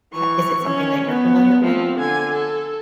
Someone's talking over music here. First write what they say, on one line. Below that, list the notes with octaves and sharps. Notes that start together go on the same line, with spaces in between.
ha is it something that you're familiar with?
E3 C#6
C#4
B3
F3 C4
D3 G#5
A4